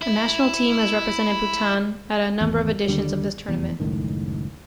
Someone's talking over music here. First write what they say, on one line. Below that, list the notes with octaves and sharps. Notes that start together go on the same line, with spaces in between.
A national team has represented Bhutan at a number of editions of this tournament.
E4 E5
G#1 E2
D#2 D3 G3
F1 E2
F#1 C#2 A2 D#3